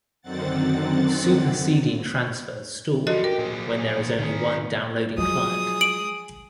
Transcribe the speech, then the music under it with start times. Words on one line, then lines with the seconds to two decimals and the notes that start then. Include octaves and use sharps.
Super seeding transfers stall when there is only one downloading client.
0.22 F#2 D3 D#3 C4 F#5 A6
3.07 F3 D4 F#4 A4 D#5
3.24 G4 A#4
3.39 A#2 G#4
4.18 D#3 G#4
5.18 F3 F#3 G#3 G#4 D#6
5.81 D7 F#7